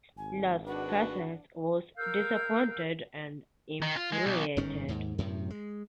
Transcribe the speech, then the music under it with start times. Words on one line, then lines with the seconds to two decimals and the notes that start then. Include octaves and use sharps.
Las Casas was disappointed and infuriated.
0.17 G#1 G#5
0.67 D4 F#4 B4 F#5
1.97 A#4 F5 E6 G6
3.83 D#3
3.97 F4
4.12 G#3
4.26 B1
4.57 G1 G#2 D#3 C#4
4.88 D#2 G#2
5.18 F#2 A2 C3
5.50 G#3